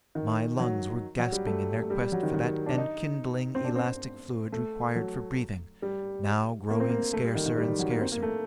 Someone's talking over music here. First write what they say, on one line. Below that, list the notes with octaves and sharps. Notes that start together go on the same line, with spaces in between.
My lungs were gasping in their quest for that enkindling elastic fluid required for breathing, now growing scarcer and scarcer.
D#3
F#3
F#3
G3
A3
A3
G3
G3
F#3
D#3
D#3
D4
D#4
C4
D4
C4
C4
A3
F#3
G3
A#3
C4
A#3
A3
G3
D#3
D#3
G3
D#3
F#3
A#3
C4
A#3
A3